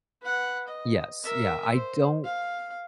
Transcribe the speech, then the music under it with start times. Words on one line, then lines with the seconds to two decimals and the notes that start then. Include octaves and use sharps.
Yes. Yeah. I don't
0.22 B4 F#5
0.68 D#5
1.24 A#4 E5
1.72 C5
2.24 F5